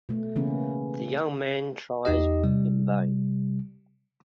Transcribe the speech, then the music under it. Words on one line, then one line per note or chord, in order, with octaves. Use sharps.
The young man tries in vain.
B2 A3
C#3 E3 A#3 B3 C#4
E2 D#4 G4 D#5
C3 G3